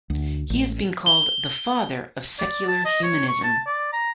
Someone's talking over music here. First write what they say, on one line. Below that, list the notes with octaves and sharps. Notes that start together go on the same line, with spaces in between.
He has been called "the father of secular humanism".
D2
A1
G7
D5
A5
D#5
C#5
C#6
A5
D5
A#5